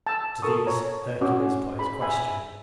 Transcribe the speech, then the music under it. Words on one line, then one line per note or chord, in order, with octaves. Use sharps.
To these Hercules put his question.
A5 E6
A4 A#4 A5 C#6 D#6
C#5 A#5
C#4 F#4 D6
G#4 B5
E5 G#5 B5